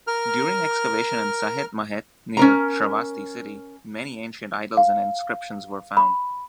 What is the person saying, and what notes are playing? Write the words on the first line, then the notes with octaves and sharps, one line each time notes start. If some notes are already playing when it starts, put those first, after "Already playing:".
During excavation in 'Sahet-Mahet' near Shravasti City, many ancient idols and inscriptions were found.
A#4 F6
C#4 A#4 A#5
F5
B5